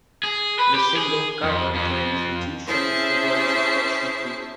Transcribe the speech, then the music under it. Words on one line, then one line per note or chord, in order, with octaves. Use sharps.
The single cover claims Leticia is "The voice of Passion Fruit".
G#4
B4
G4
G#4
F2
F2
C#4 E4 G#4 C5 E5 A5